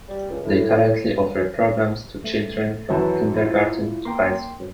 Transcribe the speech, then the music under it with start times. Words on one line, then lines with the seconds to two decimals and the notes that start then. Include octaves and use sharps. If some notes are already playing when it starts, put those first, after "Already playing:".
They currently offer programs to children from kindergarten to high school.
0.09 G3
0.30 C#2
0.44 A2
2.24 A3
2.90 F#2 E3 F#3 B4 A5
3.36 E4 F4
4.05 A#3 G5 C6